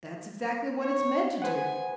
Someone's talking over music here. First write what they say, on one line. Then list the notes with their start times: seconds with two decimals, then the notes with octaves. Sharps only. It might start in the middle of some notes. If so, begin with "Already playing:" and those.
"That's exactly what it's meant to do."
0.82 C#5
1.42 B4 C5 F#5 G#5